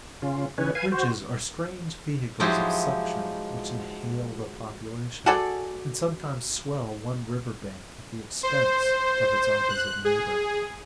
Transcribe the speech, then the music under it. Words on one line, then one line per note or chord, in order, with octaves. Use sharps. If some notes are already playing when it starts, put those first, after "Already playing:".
Bridges are strange vehicles of suction, which inhale the population, and sometimes swell one river-bank at the expense of its opposite neighbour.
C#3 C#4 F4
C#3 E3 C#4 D#4 B4 C#5
B4 F5 G#5 G#6
F#4 C5
F3 F#3 G#3 D#4 E4 G4
F#4 G#4 A4 D5
C5
F#6
G#4